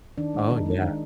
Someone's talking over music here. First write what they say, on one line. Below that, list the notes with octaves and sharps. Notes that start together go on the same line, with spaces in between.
Oh, yeah,
D#3 D4
G#3 D4
D#3 D#4
G#3 D#4
D#3 D4